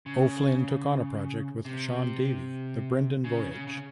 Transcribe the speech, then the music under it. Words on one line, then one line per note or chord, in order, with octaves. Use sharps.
O'Flynn took on a project with Shaun Davey, "The Brendan Voyage".
C#3
C3
C#3
C#3
C#3